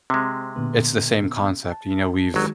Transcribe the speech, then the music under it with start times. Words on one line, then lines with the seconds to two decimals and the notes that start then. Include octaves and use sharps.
it's the same concept, you know, we've
0.10 C3 G#3 C4
0.56 A#2 D3 B3
1.71 A5
2.34 G1 D#3 F#3 G#3 F#4